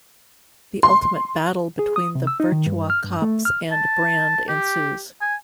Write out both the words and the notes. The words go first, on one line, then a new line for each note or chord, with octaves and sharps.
The ultimate battle between the Virtua Cops and Brand ensues.
C6
G#4
D#6
C3
E6
D#4
D#3
G2
F6
G2
A3
F6
A5
G4
G#5